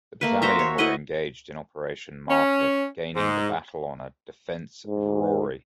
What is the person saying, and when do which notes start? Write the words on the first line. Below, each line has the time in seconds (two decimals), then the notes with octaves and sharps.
The Battalion were engaged in Operation Martlet gaining the Battle Honour "Defence of Rauray".
0.21 A3 A#3 B4
0.42 F#4 C5 E5 A#5
0.59 C#5
0.78 E4 B4 D#5 F#5
2.28 C#4
3.15 G#2
4.87 G#2